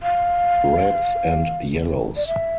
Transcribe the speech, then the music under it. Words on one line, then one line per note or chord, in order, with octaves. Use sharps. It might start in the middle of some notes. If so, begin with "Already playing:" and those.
Reds and Yellows.
F5
D5
E5